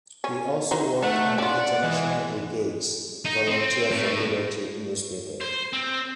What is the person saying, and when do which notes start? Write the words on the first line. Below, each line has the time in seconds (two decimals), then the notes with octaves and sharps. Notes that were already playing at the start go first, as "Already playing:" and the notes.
He also worked on the International Brigades "Volunteer for Liberty" newspaper.
0.24 C#4
0.71 F#3 D#4 C5
1.03 A3 D#4 F#5
1.38 C#4 F4 D5 F#5
1.83 E3 G#3
3.25 D#4
3.48 C4
3.91 A2
5.41 C5
5.73 C4